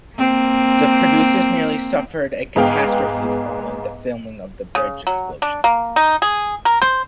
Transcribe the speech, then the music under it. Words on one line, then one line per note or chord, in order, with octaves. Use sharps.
The producers nearly suffered a catastrophe following the filming of the bridge explosion.
A#3 C4
G#2 B3 G#4 F5 G5
C#3
F#3
D4
A#3
D#4
G#4
A#4
C5